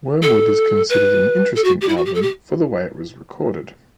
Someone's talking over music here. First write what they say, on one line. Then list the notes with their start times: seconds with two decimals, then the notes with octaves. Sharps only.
Wormwood is considered an interesting album for the way it was recorded.
0.22 A4
0.89 B4
1.55 A4
1.64 F#4
1.81 G4
1.88 E4
1.97 F#4
2.05 G4
2.14 A4
2.22 G4